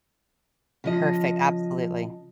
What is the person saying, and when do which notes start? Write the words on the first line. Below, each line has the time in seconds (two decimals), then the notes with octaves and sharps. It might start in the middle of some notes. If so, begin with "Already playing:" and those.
Perfect, absolutely.
0.84 C#3 F3 D#5